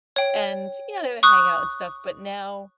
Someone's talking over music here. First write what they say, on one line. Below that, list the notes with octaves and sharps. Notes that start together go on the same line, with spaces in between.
and, you know, they would hang out and stuff, but, now,
C#5 G5
C#6 D#6 F#6